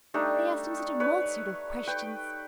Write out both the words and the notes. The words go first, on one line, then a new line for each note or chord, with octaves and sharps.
They asked him such a multitude of questions!
G3 A3 D4 D#4
B4 C#5
B4 G5